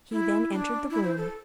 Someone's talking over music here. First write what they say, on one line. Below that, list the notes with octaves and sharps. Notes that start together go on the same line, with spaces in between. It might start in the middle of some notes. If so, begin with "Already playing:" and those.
He then entered the room.
E4
D4
E4
C5
A4